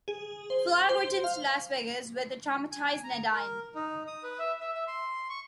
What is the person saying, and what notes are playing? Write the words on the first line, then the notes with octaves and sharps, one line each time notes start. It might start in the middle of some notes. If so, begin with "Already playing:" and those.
Flagg returns to Las Vegas with a traumatized Nadine.
G#4
C5
C5
F5
G#5
A#5
A#4
D#4
D#6
B4
E5
E5
E5
C6
C#6